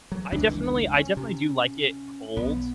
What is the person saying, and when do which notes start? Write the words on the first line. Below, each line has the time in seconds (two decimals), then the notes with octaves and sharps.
I definitely I definitely do like it cold.
0.12 F#3
0.32 F1 C#2 E3 D4
0.65 D#3
0.95 C#4
1.17 C3
2.36 B1 B3